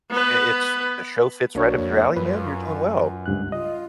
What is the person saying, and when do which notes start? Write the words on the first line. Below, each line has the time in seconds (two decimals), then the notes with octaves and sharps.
I it's the show fits right up your alley, man, you're doing well."
0.10 B3 B4
1.55 B1 A#3 D4 F#4 C#5
1.78 F2
2.17 F#2 F4 B4
3.26 C#2 G2 F#6
3.52 F4 D#5